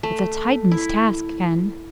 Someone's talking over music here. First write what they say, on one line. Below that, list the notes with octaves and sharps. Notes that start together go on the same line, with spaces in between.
"It's a Titan's task, Ken."
A3
E4